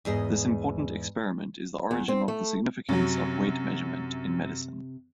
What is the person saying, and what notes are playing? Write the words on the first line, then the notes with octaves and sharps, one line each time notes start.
This important experiment is the origin of the significance of weight measurement in medicine.
E2 G#2 G#4 D#5
E2
C4
A3
F#2 C3 F#3